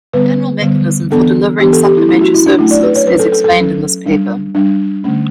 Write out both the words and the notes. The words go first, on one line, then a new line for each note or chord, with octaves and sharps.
The general mechanism for delivering supplementary services is explained in this paper.
D3 G3 B3 B4
D3 G3 B3
E3 B3 D4 A4
E3 B3 D4 G4
A4
G4
E4
F#3 A3 C#4 E4
F#4
E4
D4
F#3 A3 C#4 E4
D5
B4
C#5
F#3 C#4 B4
A4
A4
A4
F#3 C#4
G3 D4
G3 D4
D3 A3 C#4